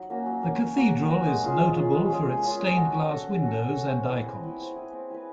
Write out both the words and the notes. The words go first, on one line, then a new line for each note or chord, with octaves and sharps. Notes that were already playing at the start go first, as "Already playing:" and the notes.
The Cathedral is notable for its stained glass windows and icons.
Already playing: F#3 D#4
A#3 C#4 F#4
F#3
A#3 C#4 F#4
F#3
A#3 C#4 F#4
F#3
A#3 C#4 F#4
G#3
C#4 F4 G#4
G#3
C#4 F4 G#4
G#3
C#4 F4 G#4
G#3
C#4 F4 G#4
C#4
F#4 A4
C#4
F#4 A4
C#4
F#4 A4
C#4
F#4 A4
C4
E4 G#4 B4
C4
E4 G#4 B4
C4
E4 G#4 B4
C4
E4 G#4 B4